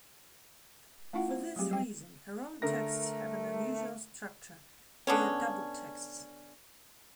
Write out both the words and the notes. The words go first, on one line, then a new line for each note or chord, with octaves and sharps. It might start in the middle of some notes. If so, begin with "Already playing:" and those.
For this reason, her own texts have an unusual structure: they are double texts.
A3 C#4 E4 F4 F#5
C5
F#3 G3 A3 C4 G4 G#4
G3 G5
D3 A3 A#4 A#6
D3 B3 C#4